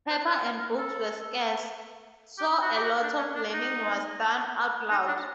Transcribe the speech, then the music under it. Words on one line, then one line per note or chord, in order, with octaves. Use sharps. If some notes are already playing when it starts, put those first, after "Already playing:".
Paper and books were scarce, so a lot of learning was done out loud.
C5
B4
A#4
A#4
A4
G4
F#4
G4
F#4
D4
C#4
D4
D#4
D#4
D4